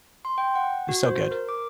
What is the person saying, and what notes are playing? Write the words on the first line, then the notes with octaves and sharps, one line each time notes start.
It was so good.
C6
G5
F#5
F#4
C5
A#4
D6